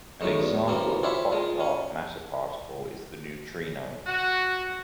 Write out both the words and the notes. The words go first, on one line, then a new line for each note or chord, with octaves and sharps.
An example of a hot dark matter particle is the neutrino.
D#2 A2 F#3 G#3 A3
E2
C2 F#2 E3 G3 A#3 C4
E4 F4 G4 C5 C#5 E5
A#2 G#3 F4
C#4
F#4